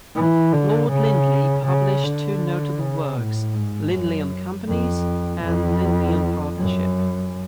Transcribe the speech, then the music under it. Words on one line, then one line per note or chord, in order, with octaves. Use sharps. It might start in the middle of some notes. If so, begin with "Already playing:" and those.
Lord Lindley published two notable works, "Lindley on Companies" and "Lindley on Partnership".
E3
D3
C#3
C#3
D3
C#3
A2
G#2
F#2
F2
F2
F#2